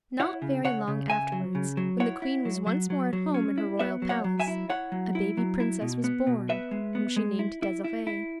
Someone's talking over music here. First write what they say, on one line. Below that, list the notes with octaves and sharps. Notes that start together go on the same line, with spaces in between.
Not very long afterwards, when the Queen was once more at home in her Royal Palace, a baby Princess was born, whom she named Desiree.
E4 C#5 F#5
C#3
C#3 C#5 F#5
C#3
C#3 E5 G#5
F#3
C#3
F#3
E4 C#5 F#5
E4
F#3
F#3
F#3
F#3
C#4
E4
B3 B4 E5
F#3
C#5 F#5
F#3
E5 G#5
E4
E4 C#5 F#5
F#3
E4
F#3
E4
B2
B3
B2
B3 B4 E5
G#3
B3
G#3
E4
E4
E4
E4